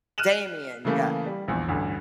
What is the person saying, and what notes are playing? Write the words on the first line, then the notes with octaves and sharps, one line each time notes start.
Damien. Yep.
F6 F#6 D#7 E7 F#7
C#3 E3 A3 A#3
G3
A#1 E2
A1 D2 G2